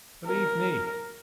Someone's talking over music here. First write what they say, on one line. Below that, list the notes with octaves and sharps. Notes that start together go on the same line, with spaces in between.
Believe me!
A#4